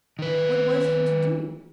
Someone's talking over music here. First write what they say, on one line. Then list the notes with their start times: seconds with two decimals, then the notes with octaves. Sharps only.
What was he to do?
0.19 D#3 B4